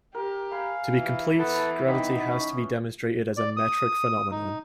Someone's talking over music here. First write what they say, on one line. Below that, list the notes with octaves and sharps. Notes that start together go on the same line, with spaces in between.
To be complete, gravity has to be demonstrated as a metric phenomenon.
G4 A#4
F5 G#5 A#5 B5
E3
B3 A4 B4 A5
B3 D#4 G5 B5 D6
C#4
D5
D#6
D#4